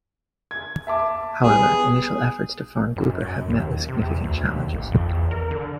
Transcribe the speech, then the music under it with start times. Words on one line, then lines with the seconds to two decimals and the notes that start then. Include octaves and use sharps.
However, initial efforts to farm grouper have met with significant challenges.
0.51 G#6
0.87 E5 A5 D6
1.43 G3 B3 G#4
2.96 F#2
3.21 F#2
3.50 D#2
3.88 C3
4.01 E2
4.24 D2
4.45 D#2
4.73 A1
4.92 F2
5.09 E2
5.31 A#4
5.51 D3